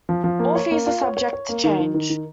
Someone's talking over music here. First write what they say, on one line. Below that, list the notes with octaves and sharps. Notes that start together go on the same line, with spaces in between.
All fees are subject to change.
F3
F3
A#3
C#5
A#3
F4
C#5
C#5
C#5
A#3
D#3
D#3
D#3
D#3